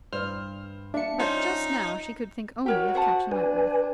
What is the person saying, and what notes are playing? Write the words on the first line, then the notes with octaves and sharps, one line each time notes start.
But just now she could think only of Captain Wentworth.
G2 C5 F6
D4 E5 F5 A5 C#7
C#4 D#4 F4 C5
F#4 G4 A#4 C#5
C5 F#5 A5
D4 B4 G#5